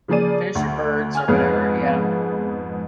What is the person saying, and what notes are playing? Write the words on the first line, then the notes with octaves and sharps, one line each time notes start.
Fish or birds or whatever, yeah.
C#3 F3 A#3 G#4 D5 D#7
D2
G#5 F6
F2 G#2 B3 G#4 B4